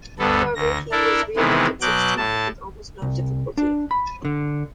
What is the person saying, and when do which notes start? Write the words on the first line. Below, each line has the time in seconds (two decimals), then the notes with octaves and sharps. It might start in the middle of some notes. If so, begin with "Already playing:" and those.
However, he was reelected six times with almost no difficulty.
0.19 D2 G2 B3 A4
0.55 D2 A#6
0.91 D4 E4 A4 A#4
1.36 C3 D#3 E3 G#3 B3
1.81 B2 F#3 D6 F#6 G6
2.17 A2 A5
3.02 C2
3.58 D4
3.91 B5
4.25 D3